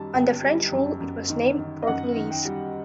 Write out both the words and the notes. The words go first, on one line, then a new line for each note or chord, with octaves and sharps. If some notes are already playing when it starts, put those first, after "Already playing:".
Under French rule it was named Port Louis.
Already playing: F#2 D#3 G3 A5
G1 G5
G3
F#2
F#2
D#3
D#3
D#5
F#2 F#5
D#3
G5
G3